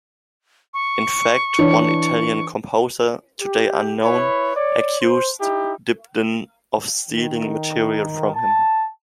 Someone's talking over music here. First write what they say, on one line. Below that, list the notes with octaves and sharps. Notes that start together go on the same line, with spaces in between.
In fact, one Italian composer, today unknown, accused Dibdin of stealing material from him.
C#6
E3 D4 C#5
G4
E4 B4 C#5 B5
C#5 D5
C5
D#4 E4 G4
D#3
A5